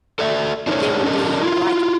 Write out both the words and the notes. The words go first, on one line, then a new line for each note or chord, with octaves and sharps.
there would be, like,
A4 D5 E5
D4 D#4 A#4 C5 C#5
C#4 D4 A4 A#4 D#5
E4 F4